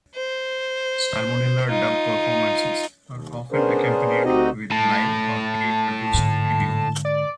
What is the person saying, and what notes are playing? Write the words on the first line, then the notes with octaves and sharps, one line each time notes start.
Salmonella Dub performances are often accompanied with live or pre produced video.
C5
D#4 F4
D#2
B3 C#4 D4 G#4 A#4 C5
D2 C4 D#4 F#4 G4 D#5
A2 A5
G#2 D3
D5